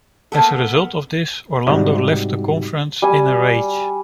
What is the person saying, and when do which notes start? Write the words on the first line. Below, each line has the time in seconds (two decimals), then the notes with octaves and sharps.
As a result of this, Orlando left the conference in a rage.
0.32 A#3 B3 A4
1.67 G#2 C3 G3 D#4 F#4 G4
3.02 G3 G#5